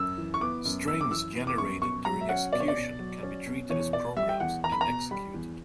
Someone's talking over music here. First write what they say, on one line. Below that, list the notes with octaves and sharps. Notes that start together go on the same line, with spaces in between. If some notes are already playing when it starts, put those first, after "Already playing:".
Strings generated during execution can be treated as programs and executed.
Already playing: F#2 E6
E3
C#6
B3 D6
F#2
F#2 E6
D6
E3 E6
B3
D6
F#2 C#6
B2 C#6
F#3 A#5
E5
C#4 F#5
B2 D5
C#5
D5
B2
F#3
C#4
B2
E2 C#5
B2 D5
G3 E5
G5
E2 F#5
E2 A#5
B5
A#5
B2
G3 B5
E2